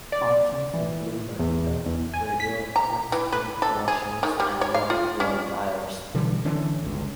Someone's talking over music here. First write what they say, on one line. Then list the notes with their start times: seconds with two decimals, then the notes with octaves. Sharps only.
Options included a heater, radio, windscreen washers and white-wall tyres.
0.12 D5
0.74 E3
1.39 E2
1.86 E2
2.14 G#5
2.40 B6
2.76 A#5
3.12 E3
3.32 B4
3.62 A4
3.88 G#4
4.23 D#3
4.40 G3
4.61 C#5
4.74 F5
4.90 F4
5.20 C#4
6.14 B2 D3 E3 G3
6.45 D3 E3 C#4 D4
6.82 G1 C#2